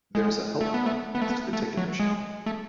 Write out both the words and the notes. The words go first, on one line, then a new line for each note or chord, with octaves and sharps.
There is a Help Point next to the Ticket Machine.
G#3
A3
B3
A3
B3
A3
B3
A3
F#3
G#3
A3